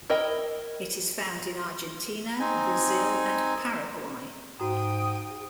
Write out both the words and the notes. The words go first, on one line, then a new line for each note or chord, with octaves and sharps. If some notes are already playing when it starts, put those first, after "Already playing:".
It is found in Argentina, Brazil and Paraguay.
E4 A#4 D#5 G5
C4 D#4 G#5
G#2 F#4 G5 A#5 D#6